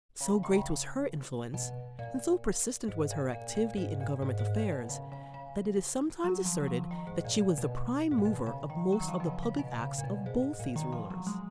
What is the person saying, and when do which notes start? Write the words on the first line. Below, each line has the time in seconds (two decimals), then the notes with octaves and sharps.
So great was her influence and so persistent was her activity in government affairs, that it is sometimes asserted that she was the prime mover of most of the public acts of both these rulers.
0.20 C#3
0.43 D#3
0.54 C#3
1.54 B2
1.99 A#2
2.88 G#2
3.11 A#2
3.33 A#2
3.55 A#2
3.77 G#2
4.01 A#2
4.22 G#2
4.39 G#2
4.56 A#2
4.72 B2
4.89 C#3
5.12 C#3
5.34 C#3
6.24 F#3
6.45 F3
6.61 F#3
6.68 F3
6.91 D#3
7.07 G#2
7.24 A#2
7.41 A#2
7.58 B2
8.11 G#2
8.18 A#2
8.25 B2
8.47 C#3
8.70 D#3
8.92 F#3
9.01 D#3
9.08 F3
9.20 B2
9.26 C#3
9.43 C#3
9.59 B2
9.81 C#3
9.98 A#2
10.04 B2
10.26 G#2
10.43 G#2
10.53 G#2
10.60 A#2
10.76 D#3
10.92 F3
11.10 F#3
11.27 G#3